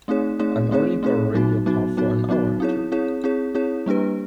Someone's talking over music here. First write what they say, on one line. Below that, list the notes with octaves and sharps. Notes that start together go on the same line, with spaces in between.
I’m only borrowing your car for an hour or two.
A3 C4 D#4 G#4 C#5
A3 C4 D#4 G#4 C#5
A3 C4 D#4 G#4 C#5
A3 C4 D#4 G#4 C#5
F#3 B3 D#4 F#4
F#3 B3 D#4 F#4
F#3 B3 D#4 F#4
F#3 B3 D#4 F#4
C4 E4 G#4 C#5
C4 E4 G#4 C#5
C4 E4 G#4 C#5
C4 E4 G#4 C#5
G3 A#3 D4 G4 B4